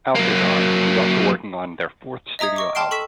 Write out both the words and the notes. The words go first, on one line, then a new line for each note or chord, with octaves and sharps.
Alcazar is also working on a their fourth studio album.
F#3 A#3
D#5 E5 A#5 D#6 G#6
D#5 C#6 D6
G5 A5 C6 F6 C7 D7
A4 C#6 E6 B6 E7